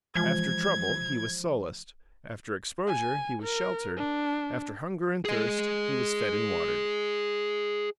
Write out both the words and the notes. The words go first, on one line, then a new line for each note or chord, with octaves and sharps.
After trouble, he was solaced; after exposure, he was sheltered; after hunger and thirst, he was fed and watered.
E3 F3 G#3 F4 G#6
G#5
A#4
D4
G#4 D#5